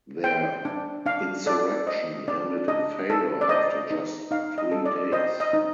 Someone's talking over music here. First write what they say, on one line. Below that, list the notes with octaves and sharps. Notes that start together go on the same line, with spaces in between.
Their insurrection ended in failure after just three days.
C5 G5
D4
D4 F5
A4 D5
C5 D#5
D4 D5
D4 D#5
A4
D5
C5 D#5
D#4
D#4 F5
D#5
A4
D5
C5 D#5
D#5
D#4